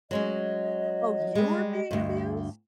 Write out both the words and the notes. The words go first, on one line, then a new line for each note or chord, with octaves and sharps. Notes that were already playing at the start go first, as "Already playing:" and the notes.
Oh, you were being abused?
F#3 G#3 C#4 D#5
G3 G#3
D2 G2